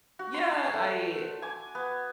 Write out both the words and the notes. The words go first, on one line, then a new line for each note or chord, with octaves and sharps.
Yeah, I
F#4
C6
A3
G#5 D6
B3